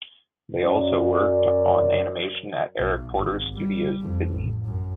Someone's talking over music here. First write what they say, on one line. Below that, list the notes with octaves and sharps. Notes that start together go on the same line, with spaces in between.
They also worked on animation at Eric Porter's studios in Sydney.
F#2 D5
B1
G#1
G3
F2
A1
F#2